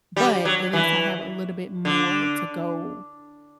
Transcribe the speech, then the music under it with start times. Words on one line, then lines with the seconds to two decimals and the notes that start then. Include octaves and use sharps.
But at least I have a little bit more to go
0.16 G3
0.45 F#3
0.73 E3
1.85 D3